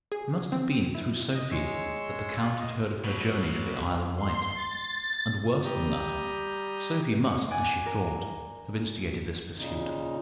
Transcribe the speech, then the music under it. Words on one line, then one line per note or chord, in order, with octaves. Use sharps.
It must have been through Sophie that the count had heard of her journey to the Isle of Wight; and, worse than that, Sophie must, as she thought, have instigated this pursuit.
G#4
C4
E4
D#5
G#3 C#5 C6 E6
F4
D#5
B2 F#3
C6
A6
G3 G4 A#5 D#6 G6
D5 F#5 G#5
A#4
A#2 C#3 D#4